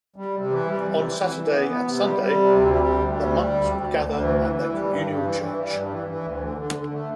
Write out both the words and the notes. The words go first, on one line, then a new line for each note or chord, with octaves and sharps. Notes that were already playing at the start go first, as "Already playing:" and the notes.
On Saturday and Sunday, the monks would gather at their communal church.
G3
C3
E3
G3
C3
E3
E3
E3
B3
B3
C3
G3
G3
C3
D2
G3
D2
D2
G3
G3
D2
D2
D2
D2
E3
E3
E3
G3
G2
G2
E3
E3
G3
G2
E3
E3
D2
D3
D3
D3
A3